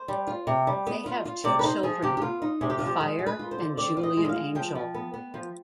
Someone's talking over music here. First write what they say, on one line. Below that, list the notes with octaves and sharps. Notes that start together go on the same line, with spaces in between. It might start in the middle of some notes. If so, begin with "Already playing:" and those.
They have two children, Fire and Julian Angel.
Already playing: C5
G3
F4
C3
G3
B3
F4
F4
C3 D5
B4
D#4 C5
F3 G#4
C3 G4
G4
B3 F4
D#4
C3 G#4
G4
F3 F4
G4
G#3
G#3
B4
F4
C5
D3
C4 D5
F4
D#5
G#3
D#5
F5
G#3
F3 G5
F3
B3
B3
F3